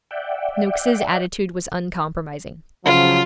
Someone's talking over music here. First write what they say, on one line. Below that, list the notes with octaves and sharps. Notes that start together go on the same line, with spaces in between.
Noakes's attitude was uncompromising.
D5 E5 F#5 G5
C#3 F3 F#3 F4